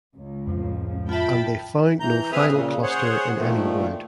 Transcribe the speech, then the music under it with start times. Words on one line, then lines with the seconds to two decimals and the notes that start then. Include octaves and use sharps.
And they found no final cluster in any word.
0.15 C#2
0.47 F2 A2 F3
1.09 F4 E5 G5 A5 B5
2.00 E3 A#5 G6
2.32 C4 G#4 B4 E5 D#6 F6
2.51 A#2 C#3
2.83 G#4 C5 C#5 F#5
3.37 A#2 D#3 F3 A3